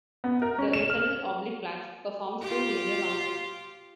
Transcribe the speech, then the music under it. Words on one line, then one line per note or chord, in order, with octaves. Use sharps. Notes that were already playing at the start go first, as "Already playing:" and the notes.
The internal oblique performs two major functions.
B3
A#4
C#4
E7
F6
F4 G4